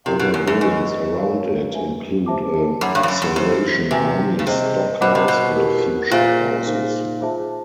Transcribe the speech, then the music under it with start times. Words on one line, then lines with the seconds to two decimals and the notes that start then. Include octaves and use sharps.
Other buildings around it include a Salvation Army stockhouse and a few shophouses.
0.06 C3 E4 G4 A#4
0.19 B2
0.34 F#2
0.47 F#2
0.61 F#2 B4 D#5 G#5 C#6
1.16 F#4 A#4 C#5 F5
1.71 B4 E5 G#5
2.26 G4 C5 E5 A5 D6
2.81 F#2 C#5 F#5 B5 D6
2.95 G2
3.03 F2
3.08 F#2
3.22 F#2
3.36 F#2 E4 G4 C5
3.91 C3 F#4 B4 E5 G#5
4.39 C#3
4.46 C3 G#4 C5 D#5
5.01 B2 C5 D#5 F#5 B5 D6
5.15 C3
5.28 B2
5.56 E4 G4 A#4
6.11 A#2 F4 G#4 C5 E5
6.66 D#4 G#4 C5 F5
7.21 F4 G#4 C5 E5 A5